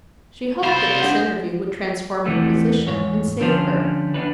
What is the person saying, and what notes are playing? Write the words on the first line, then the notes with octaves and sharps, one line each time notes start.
She hoped that this interview would transform her position, and save her.
C2 C5 F5 B5 A6
D4 F#5 G6
E2 C3 E3 G3 A3 B3
E2 G#2 C#5
D3 F3 G3 C#4 D4 F4
B3 D4 D#4 B4